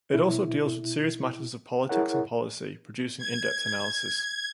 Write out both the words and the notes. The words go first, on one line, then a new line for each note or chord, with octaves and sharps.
It also deals with serious matters of politics and policy, producing in depth analysis.
B2 E4
E4 G#4 A#4 C#5 F#5
G#6